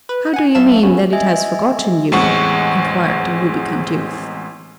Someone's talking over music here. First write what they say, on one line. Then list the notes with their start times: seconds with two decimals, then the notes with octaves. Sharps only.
"How do you mean that it has forgotten you?" inquired the rubicund youth.
0.09 B4
0.33 F#5 G#5
0.55 F#3 E5 F5 A5 E7
0.83 A3 B3 C#4 F#4
1.13 D#5 E5 G#5
2.12 A1 E2 G#3 C4 F#5 C#6